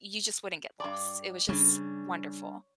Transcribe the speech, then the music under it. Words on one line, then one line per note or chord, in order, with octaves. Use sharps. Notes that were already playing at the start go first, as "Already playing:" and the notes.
You just wouldn't get lost it was just wonderful.
G2 D5
C#3 G3 D4